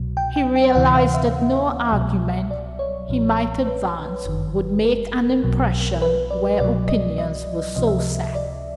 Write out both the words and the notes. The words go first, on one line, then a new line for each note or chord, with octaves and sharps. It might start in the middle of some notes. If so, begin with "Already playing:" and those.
He realized that no argument he might advance would make an impression where opinions were so set.
Already playing: C2 B2 F#3
G5
G5
G5
D2 C3 E3 F#5
F5
E5
C2 B2 F#3
D5
C#5
B1 A#2 F3
B4
G1 F#2 D#3
A#4
B1 B2 F#3
B4
D5
C2 B2 F#3 D5
D#5
D#5
C#2 C3 F3 D#5
E5
D#5
D5